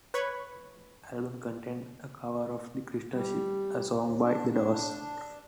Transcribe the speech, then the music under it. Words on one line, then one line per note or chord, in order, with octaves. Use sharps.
This album contains a cover of "The Crystal Ship", a song by "The Doors".
B4 C#5 B5 C#6
G3
D#2
D4
D4